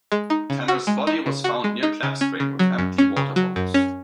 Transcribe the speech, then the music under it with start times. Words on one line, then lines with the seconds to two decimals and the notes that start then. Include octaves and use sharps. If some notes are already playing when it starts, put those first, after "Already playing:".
Tanner's body was found near Clapp Spring with empty water bottles.
0.12 G#3
0.30 D#4
0.50 C#3
0.68 F#4
0.87 G#3
1.07 D#4
1.26 C#3
1.44 F#4
1.64 G#3
1.83 D#4
2.03 C#3
2.21 C#4
2.40 C#3
2.59 F#3
2.79 F#2
2.98 C#4
3.17 C#3
3.36 F#3
3.56 F#2
3.74 C#4